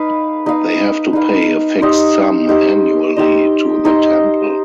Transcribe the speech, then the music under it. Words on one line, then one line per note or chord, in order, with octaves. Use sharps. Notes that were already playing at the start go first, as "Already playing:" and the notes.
They have to pay a fixed sum annually to the temple.
Already playing: D#4 B4 F5
D#4 B4 F5
D#4 B4 F5
D#4 G4 C5 D#5
D#4 G4 C5 D#5
D#4 G4 C5 D#5
D#4 G4 C5 D#5